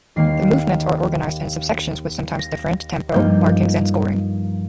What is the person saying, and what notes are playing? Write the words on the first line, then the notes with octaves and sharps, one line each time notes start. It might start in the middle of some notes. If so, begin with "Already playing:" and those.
The movements are organized in subsections with sometimes different tempo markings and scoring.
D#2 D#3 A#3 C7
A#6
G2 F3 A#3 D#4 G6